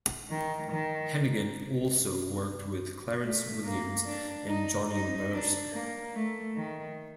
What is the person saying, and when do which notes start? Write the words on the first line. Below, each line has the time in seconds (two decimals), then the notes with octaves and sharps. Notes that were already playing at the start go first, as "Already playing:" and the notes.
Hanighen also worked with Clarence Williams and Johnny Mercer.
0.30 D#3
0.71 D#3
3.22 A3
3.64 A#3
4.05 D4
4.47 D#4
4.89 D#4
5.31 D4
5.73 A#3
6.14 A3
6.56 D#3